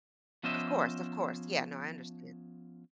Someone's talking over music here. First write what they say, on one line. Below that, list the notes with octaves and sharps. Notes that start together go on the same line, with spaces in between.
Of course, of course, yeah, no, I understood.
F3 B3 C#4 C5 D#5 E5